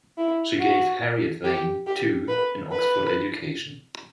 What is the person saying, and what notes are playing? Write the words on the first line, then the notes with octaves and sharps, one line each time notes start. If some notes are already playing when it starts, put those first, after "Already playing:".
She gave Harriet Vane, too, an Oxford education.
E4
F#4
G4
G4
B4
B4